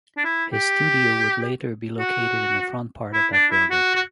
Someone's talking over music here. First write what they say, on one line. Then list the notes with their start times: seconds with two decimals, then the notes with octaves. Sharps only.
His studio would later be located in the front part of that building.
0.17 D4
0.24 E4
0.53 G4
1.98 F#4
3.13 E4
3.33 D4
3.51 E4
3.71 F#4
3.95 F#4